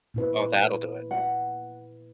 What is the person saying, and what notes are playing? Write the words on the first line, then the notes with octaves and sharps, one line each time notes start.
Oh, that'll do it.
A#2 E4 B4
F#5